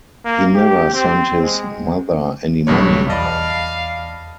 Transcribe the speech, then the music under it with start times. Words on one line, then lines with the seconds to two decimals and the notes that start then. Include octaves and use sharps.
He never sent his mother any money now.
0.25 A#3
0.55 G4
0.94 C4
1.43 G#3
2.67 B1 G2 C#5
3.09 E2 D5 D#5 F5 A5 B5